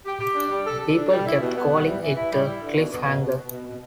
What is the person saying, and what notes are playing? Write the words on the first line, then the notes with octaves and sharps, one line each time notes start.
People kept calling it a cliffhanger.
G4
G4
D4
G3
A4
A4
D4
G3
E4
B2
B3
G3
E3
E3
E4
G3
E4
D3
B2
B2
B2
B2
B2
B2
B2